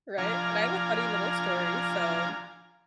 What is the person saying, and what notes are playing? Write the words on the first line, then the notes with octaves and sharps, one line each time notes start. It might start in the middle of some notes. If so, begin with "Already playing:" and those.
Right? And I have a funny little story, so
F3 D4 F5 G#5 A#5